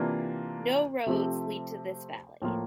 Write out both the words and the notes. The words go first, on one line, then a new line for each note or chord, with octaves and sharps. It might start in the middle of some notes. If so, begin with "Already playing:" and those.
No roads lead to this valley.
Already playing: C3 E3 A#3 D4 F4
C3 F3 A3 C4 G4
A2 F3 A#3 F4